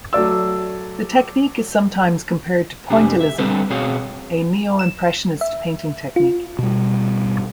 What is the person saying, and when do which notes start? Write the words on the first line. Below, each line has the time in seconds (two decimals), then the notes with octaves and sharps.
The technique is sometimes compared to "pointillism", a neo-impressionist painting technique.
0.13 F#3 A3 D5 E6
2.90 F2 C3 D4 G4 G#5
3.21 E5
3.38 D3 G3 C4 A4 B4 C5
3.70 B2 C4 F#4 G#4 C#5 F5
4.79 E7
5.41 E5
6.16 F4
6.59 B2 G3